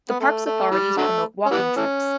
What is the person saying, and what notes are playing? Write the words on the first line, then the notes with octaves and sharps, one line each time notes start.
The park's authorities promote walking trips.
B3
A3
A3
E3 G3
D3 F#3 A3
C#4
E3 G3 B3
E3 A3 C#4